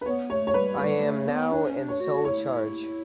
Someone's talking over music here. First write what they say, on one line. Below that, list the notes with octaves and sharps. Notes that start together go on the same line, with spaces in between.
I am now in sole charge.
B4
B3 C#5
A3 C#5
C#5
G3 B4
G3 B4
G3
A3
B3
D4 C#5
C#4
D4
C#5
F#4
E4 C#5